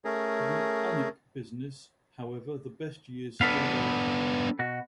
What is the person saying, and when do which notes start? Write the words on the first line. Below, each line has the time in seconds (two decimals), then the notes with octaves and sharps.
For the Unic business, however, the best years still lay ahead.
0.05 A3 C#4 G#4 A#4
3.41 B3 D4 A4 B4 F5
4.59 B2 F#4